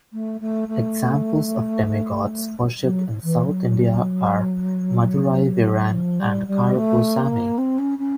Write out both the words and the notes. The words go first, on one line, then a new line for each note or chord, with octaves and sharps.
Examples of demigods worshiped in South India are Madurai Veeran and Karuppu Sami.
A3
A3
A3
F#3
E3
F#3
F3
G3
G3
A3
A#3
C4
C#4
C#4